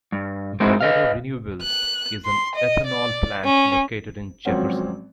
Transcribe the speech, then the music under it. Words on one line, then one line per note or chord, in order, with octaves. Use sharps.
Valero Renewables is an ethanol plant located in Jefferson.
G2
G#3 C4 D#4 E4 F#4 G#4
B4 D#5 F5
F#6
C6
D#5
D5
C#4
G#1 F3 F#3 C4 C#4 F#5